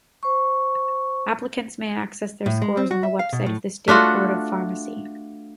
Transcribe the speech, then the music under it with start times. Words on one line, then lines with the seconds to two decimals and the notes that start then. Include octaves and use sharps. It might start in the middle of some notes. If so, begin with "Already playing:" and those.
Applicants may access their scores on the website of the state Board of Pharmacy.
0.23 C5 C#6
2.46 A2
2.62 G#3
2.77 C4
2.91 F#4
3.03 E5
3.19 F5
3.33 B2
3.46 A2
3.88 A3 D4 F4 F#4